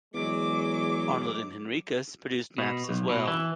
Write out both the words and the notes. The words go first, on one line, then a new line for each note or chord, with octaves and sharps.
Arnold and Henricus produced maps as well.
E2 F#3 G#3 D6
B2
B1
B2
E3